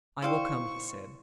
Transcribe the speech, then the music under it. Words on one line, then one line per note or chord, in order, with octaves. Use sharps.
"I will come," he said.
E4 C5 D5 F5 G5 C#6